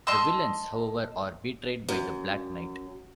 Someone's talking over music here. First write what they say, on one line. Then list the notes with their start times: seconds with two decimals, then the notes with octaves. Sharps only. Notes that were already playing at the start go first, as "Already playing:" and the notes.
The villains, however, are betrayed by the Black Knight.
0.07 D#5 A5 C6 E6
1.89 F#2